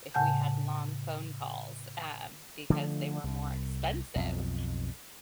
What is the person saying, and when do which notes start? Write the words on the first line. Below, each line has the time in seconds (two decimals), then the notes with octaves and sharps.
if we had long phone calls, um, because they were more expensive,
0.14 A2 C#3 F#5 G#5 A5 G6
2.70 D3 F3 A3
3.24 C2
4.15 B1 F2